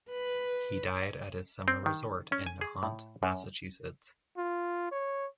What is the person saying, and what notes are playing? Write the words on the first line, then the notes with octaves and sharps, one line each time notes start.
He died at his summer resort in Nahant, Massachusetts.
B4
C4
D#3
C#4
G#5
G#4
A2
F#2
F4
C#5